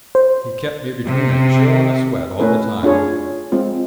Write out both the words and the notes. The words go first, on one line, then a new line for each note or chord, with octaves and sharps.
He kept me between a chill and a sweat all the time.
C5
C3
A3 C#4 E4 A#4 B4
C#4 D4 F4 G#4 C#5
G#3 C4 F4